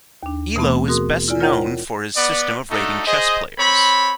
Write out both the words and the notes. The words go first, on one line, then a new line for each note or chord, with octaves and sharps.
Elo is best known for his system of rating chess players.
D#2 D4
B2 E3 A3 B3 C4
F#4 G#4 A#4 C6 D#6
E4 F4 D5 G#5
F4 A#4 C#5 F#5 G5 A#5
B3 D5
A3 D4 D#4 F#4 A4
G#4 C5 D#5
C4 C#5 B5